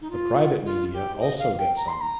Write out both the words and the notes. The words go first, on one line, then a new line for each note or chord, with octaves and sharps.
The private media also get some.
D#4
F4
F4
G4
D#5
F5
G5
A#5
C6
A#5